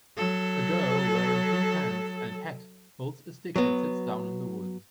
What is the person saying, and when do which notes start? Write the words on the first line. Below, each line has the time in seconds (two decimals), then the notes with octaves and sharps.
A girl wearing pink pants and hat holds a stick and sits down in the woods.
0.17 F#3 A4
3.56 F#3 B3